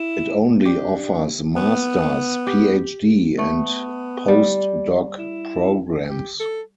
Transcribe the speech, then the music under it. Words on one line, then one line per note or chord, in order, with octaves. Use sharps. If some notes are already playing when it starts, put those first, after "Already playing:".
It only offers Master's, PhD, and Postdoc programs.
Already playing: E4
D4 G4
B3
G4
A3 B3
G3
E4
G4
A4